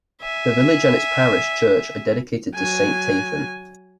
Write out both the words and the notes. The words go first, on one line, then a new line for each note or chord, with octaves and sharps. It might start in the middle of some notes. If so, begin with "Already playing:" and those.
The village and its parish church are dedicated to Saint Tathan.
E5 G#5
F#3 G#5